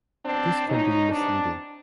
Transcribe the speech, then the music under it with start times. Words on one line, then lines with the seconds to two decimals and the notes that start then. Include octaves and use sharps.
This can be misleading.
0.25 B2 F#3 C4 D4
0.67 A#2 F3 C#4 D#4
1.11 C3 E3 C4 D4